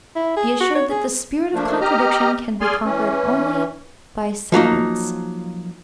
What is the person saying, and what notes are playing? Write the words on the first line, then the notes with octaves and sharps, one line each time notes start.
Be assured that the spirit of contradiction can be conquered only by silence.
E4
G#4
F#4
C#5
G#4
F3 A3 A#3 D4
G4 D#5 A#5 F6
G#4 D5 G#5 C6 F6
E3 C#4
F3 F#3 A#3 D#4